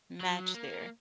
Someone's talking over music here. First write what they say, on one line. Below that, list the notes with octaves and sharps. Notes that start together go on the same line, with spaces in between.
match there.
F#3
A#3